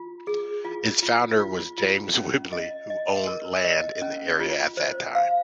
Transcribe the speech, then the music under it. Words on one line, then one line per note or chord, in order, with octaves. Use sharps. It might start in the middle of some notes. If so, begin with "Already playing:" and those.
Its founder was James Wheble, who owned land in the area at that time.
Already playing: F4
G#4
F4
F4
F4
F4
C#4
D#5
D#5
A#4
D#5
C#4
F4
C5
F5